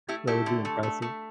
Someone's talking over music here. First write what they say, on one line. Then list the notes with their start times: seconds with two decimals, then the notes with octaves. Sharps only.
That would be impressive.
0.09 A3 E4 G4
0.27 A3 E4 G4
0.46 D3
0.65 A3
0.83 A3
1.02 A3